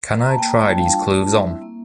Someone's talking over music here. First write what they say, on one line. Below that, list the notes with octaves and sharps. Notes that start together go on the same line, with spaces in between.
Can I try these clothes on?
A#5
A5
A#3 G5
A#5
E4 A5
G5
G3 A5
F5
D4 F4 G5
A3 A5
D4 F4 A5
G3 E5
C4 E4 E5
A#3